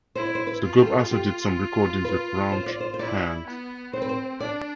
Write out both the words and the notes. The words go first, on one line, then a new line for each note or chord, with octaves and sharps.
The group also did some recordings with Raunch Hands.
E4 C5
D5
C5
B4
F4
G4
A4
G4
G4
B4
C5
D5
C5
C5
E4 D5
B3
C4 C5
B4
C5
D4 D5